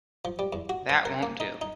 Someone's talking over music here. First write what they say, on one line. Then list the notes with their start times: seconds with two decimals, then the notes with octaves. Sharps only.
That won't do.
0.25 F3
0.39 G3
0.53 E2
0.69 F#4
0.89 C5
1.05 A#4
1.23 A#3
1.40 D#4
1.61 D#4